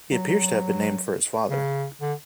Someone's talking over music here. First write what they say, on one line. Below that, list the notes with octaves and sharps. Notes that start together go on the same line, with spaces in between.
He appears to have been named for his father.
F#3
F#3
C#3
D3